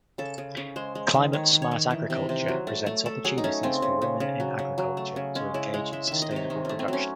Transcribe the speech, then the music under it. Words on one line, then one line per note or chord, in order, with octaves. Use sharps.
Climate Smart Agriculture presents opportunities for women in agriculture to engage in sustainable production.
C#3 A4
C#3
C#3
G#3 C5
G#3
D#3
D#3 C#5
D#3
C#5
D#3
E3
C3
C3
F#3
A3
A3
A3 A4
F#3 G#4
D#4
A3 C#4
C#3 C4
C#3
C#3
C#3
F#3
C#3
F#3
A3
C#3
G#3 C#4
C#3 E4
G#3 C#5
G#3 E5
D#3 E5
D#5
C3
C#5
D#3 D#4
A3 C#4
C4
F#3 C#4